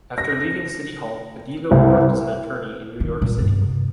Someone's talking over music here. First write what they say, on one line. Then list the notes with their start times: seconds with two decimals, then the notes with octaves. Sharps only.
After leaving City Hall, Badillo worked as an attorney in New York City.
0.18 A#6
1.71 C2
3.00 D#3
3.22 A#2
3.38 G2 B3
3.61 C3